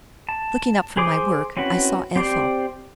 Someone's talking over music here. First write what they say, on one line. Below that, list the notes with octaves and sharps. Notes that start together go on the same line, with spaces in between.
Looking up from my work, I saw Ethel.
A5
G#4 C5 D6 D#6
C4 C#4 E4 F#4 B4
C4 G4 C5 D5